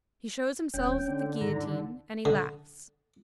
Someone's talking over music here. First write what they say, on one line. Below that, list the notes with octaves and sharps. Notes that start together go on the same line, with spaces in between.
He shows himself at the guillotine, and he laughs.
D#1 C#4 G5
D3
G#2 D#3 A#5
D#3
D3